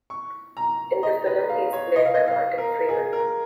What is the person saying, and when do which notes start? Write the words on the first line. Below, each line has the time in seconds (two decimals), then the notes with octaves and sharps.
In the film he is played by Martin Freeman.
0.10 C#6
0.57 A#5
1.03 D#5
1.26 B4
1.49 F5
1.73 C#5
1.96 D#5
2.05 F5
2.15 D#5
2.27 F5
2.58 A#4
2.89 G#4
3.13 A#4